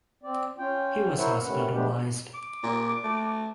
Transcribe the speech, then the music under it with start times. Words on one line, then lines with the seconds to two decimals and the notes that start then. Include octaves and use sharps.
He was hospitalized.
0.23 C4 D5
0.58 C#4 F4 G5
1.18 E4 A#4 C5 C#5 E5 F#5
1.44 C3 D#3 A3 C#4 B4 F#5
1.73 F3 G#3 A3 B3 D4 G4
2.34 D6
2.63 A#2
3.04 A3